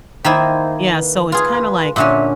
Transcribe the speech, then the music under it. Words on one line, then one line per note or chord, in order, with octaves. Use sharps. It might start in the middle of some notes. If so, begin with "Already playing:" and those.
Yeah, so it's kinda like
D#3 A#3 E4 C5
B4
F4 G#4 B4
A#2 D3 C#4 E5